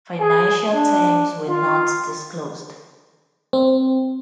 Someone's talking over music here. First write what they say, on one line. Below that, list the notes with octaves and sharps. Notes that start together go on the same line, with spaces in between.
Financial terms were not disclosed.
G#4
D4
F4
C4